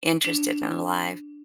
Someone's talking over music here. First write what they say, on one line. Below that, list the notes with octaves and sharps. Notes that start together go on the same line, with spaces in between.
interested and alive.
D4